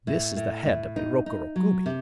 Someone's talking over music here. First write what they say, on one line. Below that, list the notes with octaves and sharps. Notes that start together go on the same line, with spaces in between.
This is the head of a Rokuro-Kubi.
A2
A2
A2
D#4
D#4
F#3
C3